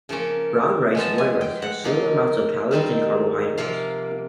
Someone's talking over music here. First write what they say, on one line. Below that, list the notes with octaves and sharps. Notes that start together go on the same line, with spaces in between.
Brown rice and white rice have similar amounts of calories and carbohydrates.
C#3 F3 A#3 C#4
F3 G#3 B3 A5
G#5
G5
F#5
F3 A#3 D#4
D#3 G3 C4 D#4
C3 F3 A#3 F5